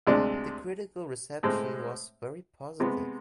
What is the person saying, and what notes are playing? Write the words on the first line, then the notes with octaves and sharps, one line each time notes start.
The critical reception was very positive.
D2 C3 G#3 D4
A2 G#3 C4
C3 G#3 B3